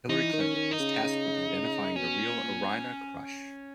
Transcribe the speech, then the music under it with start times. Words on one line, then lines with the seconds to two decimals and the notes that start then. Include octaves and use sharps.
Hillary Clinton was tasked with identifying the real Irina Krush.
0.08 E3 D#4
0.33 D#3
0.40 C#4
0.55 D#3
0.71 D#4
0.79 C#3
1.03 C#3
1.49 C#3
1.96 B2 C#4
2.20 A#2
2.43 A#2